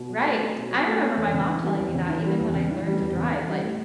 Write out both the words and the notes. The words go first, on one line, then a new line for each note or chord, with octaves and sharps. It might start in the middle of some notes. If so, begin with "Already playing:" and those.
Right. I remember my mom telling me that even when I learned to drive, like,
Already playing: B2
F#3
A3
C#4
B2
F#3
A3
C#4
E2
C#3
E3
G3
E2
C#3
E3
G3
E2
C#3
E3
G3
E2
C#3
E3
G3
A2